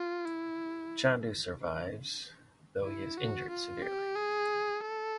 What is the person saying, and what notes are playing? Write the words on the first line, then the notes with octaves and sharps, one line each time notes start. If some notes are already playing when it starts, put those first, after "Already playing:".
Chandu survives, though he is injured severely.
Already playing: F4
E4
E4
F#4
F4
G4
G#4
A4